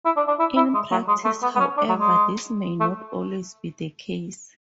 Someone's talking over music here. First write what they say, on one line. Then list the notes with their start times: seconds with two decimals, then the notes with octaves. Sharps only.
In practice however this may not always be the case.
0.05 E4
0.17 D4
0.28 D4
0.39 E4
0.57 E4
0.74 G#3
0.91 F#3
1.08 G#3
1.25 A3
1.42 B3
1.56 B3
1.59 C#4
1.77 D4
1.89 F#3
2.00 G#3
2.80 A3